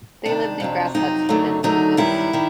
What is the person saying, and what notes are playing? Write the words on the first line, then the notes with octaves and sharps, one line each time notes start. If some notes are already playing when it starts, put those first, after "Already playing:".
They lived in grass huts within villages.
F2 C3 D#3 D4
F2 C3 D#3 F#3
F2 C3 D#3 F#3 D#4
F#2 D3 F#3 A3
F#2 D3 F#3 A3 D#4
F#2 D#3 G3 B3 E4
D#3 G3